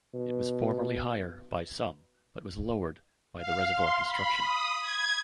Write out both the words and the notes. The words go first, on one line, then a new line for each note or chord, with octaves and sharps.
It was formerly higher by some but was lowered by the reservoir construction.
B2
F5
C6
B5
D#6
G#6